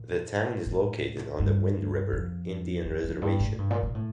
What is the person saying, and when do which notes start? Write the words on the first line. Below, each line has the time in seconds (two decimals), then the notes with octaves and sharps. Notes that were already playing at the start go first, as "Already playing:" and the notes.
The town is located on the Wind River Indian Reservation.
Already playing: A#2
0.66 A2
1.39 G2
2.12 F2
2.85 F2
3.04 F2
3.22 G2
3.40 A2
3.58 G2
3.70 A#2
3.83 A#2
3.95 A2